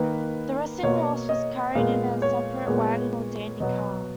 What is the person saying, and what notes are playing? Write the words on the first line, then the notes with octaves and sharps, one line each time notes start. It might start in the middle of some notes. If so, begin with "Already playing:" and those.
The resting horse was carried in a separate wagon or 'dandy car'.
Already playing: D#3 A#3 B4
B2 A#3 C#5
D#5
A#2 G#3 B3 F5
C#5
A#2 G#3 B3
B2 F#3 B3